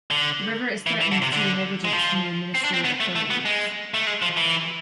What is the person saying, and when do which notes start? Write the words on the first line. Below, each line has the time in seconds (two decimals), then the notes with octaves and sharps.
The river is threatened due to negligence from the administrative authorities.
0.11 D3
0.87 E3
1.01 E3
1.12 D3
1.22 C3
1.33 D3
1.85 G#3
1.93 F3
2.55 C4
2.64 D4
2.74 C4
2.85 B3
3.00 A3
3.16 A3
3.30 B3
3.45 G#3
3.94 A3
4.07 G#3
4.22 F3
4.37 E3